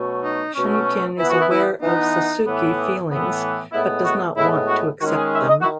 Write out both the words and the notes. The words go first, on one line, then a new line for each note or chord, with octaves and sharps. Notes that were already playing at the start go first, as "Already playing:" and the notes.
Shunkin is aware of Sasuke feelings, but does not want to accept them.
Already playing: B2 F#3 A3 C#4
D#4
B2 F#3 A3 C#4
E3 B3 E4
F#4
E4
E4
E3 B3 D#4
A2 E3 B3
A2 E3 B3
A2 G#3 B3 E4
F#4
A2 G#3 B3 E4
F#4
D#3 G#3 C#4 F#4
G#4
E5
D#5
F#4
D#3 E4